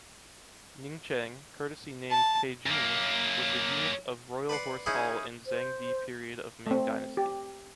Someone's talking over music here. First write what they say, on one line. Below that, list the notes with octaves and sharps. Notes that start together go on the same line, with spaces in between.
Ningcheng, courtesy name Kejing, was the eunuch of Royal Horse Hall in Zhengde period of Ming Dynasty.
A5
F#2 A#3
B4 D5 F#5 C6
C#4 D#4 E4 G#4
C5
A3 C4
G4